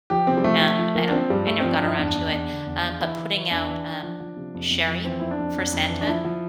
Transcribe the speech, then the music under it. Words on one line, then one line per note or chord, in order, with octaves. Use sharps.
and, um, I I never got around to it. Um, but putting out, um, sherry for Santa
F3 G4
C3 C4
G3
F3 A3
F3
F3
F3 A#3
D4
F3 C4
G2 G3
G2 A3
F3 C4
D4
G2 E4
E2 D4
E2
E2
D3
E2
E2
E3 E4
E3
E3
E2 D4
E3
E3
F3
F3
C3
F2
F2
F3
E3 C4
F2 E4
D4
F2
F2
F2
E3
D4
F3 E4
F3